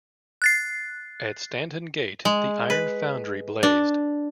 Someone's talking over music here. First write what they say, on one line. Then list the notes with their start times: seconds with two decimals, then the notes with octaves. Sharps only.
At Stanton Gate the iron foundry blazed.
0.42 F#6 A6 C7
2.25 G#3
2.70 B4
3.63 D4